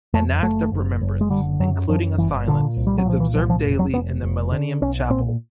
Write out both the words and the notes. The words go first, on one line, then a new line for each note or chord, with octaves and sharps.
An Act of Remembrance, including a silence, is observed daily in the Millennium Chapel.
F2 A3
F#1 A3
F#1
F#1
G#3
D3 G3
F#2 F#3
F#2 F3
G1 E3
A#2 D3
C2
G3
F#3
A#2 F3
E3
C2 F3
F3
F1
F#3
F1 B3
F1
D3
B1 C#4
A#2 C4